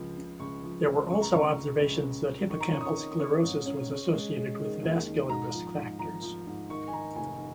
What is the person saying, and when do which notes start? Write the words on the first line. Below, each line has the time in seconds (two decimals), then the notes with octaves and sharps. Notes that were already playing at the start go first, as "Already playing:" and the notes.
There were also observations that hippocampal sclerosis was associated with vascular risk factors.
Already playing: C#2 F3
0.16 C#3
0.40 C#2 C#6
0.64 F3
0.87 C#2
1.10 C#3 C#6
1.22 A#5
1.33 C#2 C#6
1.57 C#2
1.80 C#2
2.03 C#3
2.27 C#3
2.50 D#3 C#6
2.61 A#5
2.71 C#4 C#6
2.81 D#6
2.85 C#6
2.97 D#3
3.20 C#4 C#6
3.43 G#2
3.66 C#4
3.90 C#4
4.14 G#3
4.36 G#3
4.59 D#3
4.83 D#2
5.06 D#3
5.29 G#2 A#5
5.53 F3
5.76 G#2
5.99 F3 A#5
6.23 F3
6.47 G#2
6.70 D#3 C#6
6.88 G#5
6.93 D#3 A#5
7.16 F1 G#5